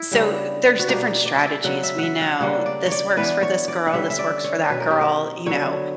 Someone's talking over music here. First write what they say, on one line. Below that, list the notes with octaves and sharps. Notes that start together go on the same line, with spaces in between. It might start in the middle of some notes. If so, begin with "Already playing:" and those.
so th there's different strategies. We know this works for this girl. This works for that girl, you know,
Already playing: E4
C#3 G3 B3 D4
F#4
B2 G3 A#3 D4 G4
D5
E5
D5
C#3 F#3 B3 F#5
E5
E5 F#5
F#5
C#3 G3 A#3 D4 F#5
D5
C#5
D5
E3 B3 D4 B4
C#5
D5
F#5
D3 G3 C#4 E5
E5
D5
C#5
B2 F#3 C#4 B4
A#4
G4
A#4
D3 F#3 B3 C#5